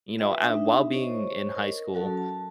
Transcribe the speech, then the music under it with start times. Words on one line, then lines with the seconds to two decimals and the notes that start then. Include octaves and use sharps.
you know, and while being in high school,
0.18 F4 B4 E5 G5
0.40 D4 D#4 E5
0.93 C5 C#5 D#5 C#6
1.55 A#4
1.94 F#3 C#4 F#4 A4 A5
2.17 A5